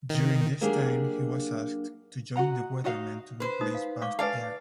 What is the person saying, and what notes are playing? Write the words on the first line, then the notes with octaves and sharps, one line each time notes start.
During this time he was asked to join The Weathermen to replace Vast Aire.
D#3
F#3 A#3 D4 G4 G#4
F#4 D#5 F#5 A#5
D#4 F#4 D#5 F5
B4 C5
D#4 D#6
F5
F5 C#6 D6
B4 D5 F5 G#5 A5